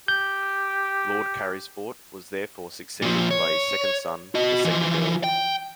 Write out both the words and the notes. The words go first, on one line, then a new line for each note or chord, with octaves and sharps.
Lord Carysfort was therefore succeeded by his second son, the second Earl.
G4 G6
A#2 F3
C#5
F#4 D#5
E3 F3
G5